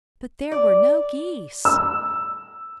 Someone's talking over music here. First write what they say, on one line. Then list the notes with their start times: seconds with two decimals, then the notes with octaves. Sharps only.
But there were no geese!
0.52 D5
1.65 E6